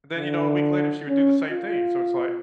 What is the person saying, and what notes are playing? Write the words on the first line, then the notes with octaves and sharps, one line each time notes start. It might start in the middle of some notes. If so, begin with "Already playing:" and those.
then, you know, a week later, she would do the same thing. So it's like
D3
C#4
F4